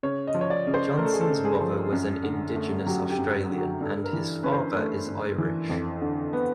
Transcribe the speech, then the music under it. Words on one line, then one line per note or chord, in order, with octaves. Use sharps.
Johnson's mother was an Indigenous Australian and his father is Irish.
C#3 C#5
D#5
F3
C#5
D5
C#3
C5
A3 A#4
A4
G#4
A4
C#3
G#4
F3
F#2
D3
A3
F#3 G4
G4
F#2
D3
F#4
G2 A4
A#4
E3
C#4 B4
C5
A3
G2
E3
F2
D3
B3